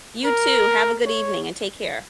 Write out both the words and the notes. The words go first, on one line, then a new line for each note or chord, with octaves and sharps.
You too. Have a good evening and take care.
A#4
C#5